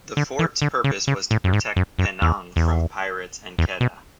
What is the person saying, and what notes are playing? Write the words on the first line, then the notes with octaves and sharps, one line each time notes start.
The fort's purpose was to protect Penang from pirates and Kedah.
D3
E3
D3
C#3
C#3
A2
F#2
G#2
F#2
F#2
E2
E2
E2
B2